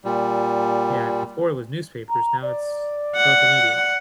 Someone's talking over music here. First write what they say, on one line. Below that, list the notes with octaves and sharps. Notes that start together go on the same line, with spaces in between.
Yeah, before it was newspapers, now it's social media.
A#2 G3
A#5
D5
F#5